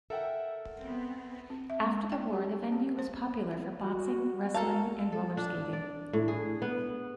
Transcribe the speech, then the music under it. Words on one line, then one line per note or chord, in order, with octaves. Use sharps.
After the war, the venue was popular for boxing, wrestling and roller skating.
A4 A#4 E5 F#5 G5
B3 C4
C4
E5
G#3
G5
G4
C4
C5
F#4
A4 A#4 F5 A5
A4
D4
D5
A2
G#4
B3